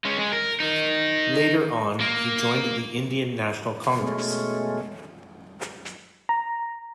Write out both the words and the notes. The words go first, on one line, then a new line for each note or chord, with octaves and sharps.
Later on he joined the Indian National Congress.
G#3 C#4
G#3
A#4
D#4 A#4
A#3 A#4
B2 G#3 A3 C#4
A#5